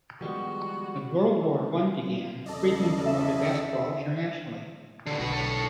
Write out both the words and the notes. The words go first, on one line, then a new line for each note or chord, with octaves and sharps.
When World War One began, Friedman promoted basketball internationally.
D#3 F3 G3 G#3 B3 F#4
E2 C#3 A4 D5 D#5
E5
A2 D3
B1 D3 F#4 B4
A4 C#5